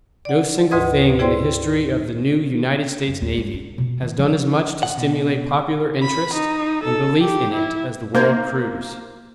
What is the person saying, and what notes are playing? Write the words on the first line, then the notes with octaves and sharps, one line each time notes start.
No single thing in the history of the new United States Navy has done as much to stimulate popular interest and belief in it as the world cruise.
D5 F#5
D2 G#2 B4 D#5 D#6 G#6
E4 G#4 C5 D5 G5 C6
F#2
D#2
G#3
D4
B2
D#3
F3
F#5
B2
B5
D#4
A4
G4
E4
A#3 C5 G6 G#6